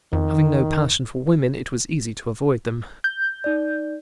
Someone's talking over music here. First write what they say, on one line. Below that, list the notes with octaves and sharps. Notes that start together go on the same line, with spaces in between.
Having no passion for women, it was easy to avoid them.
F2 D#3
G6
D#4 D5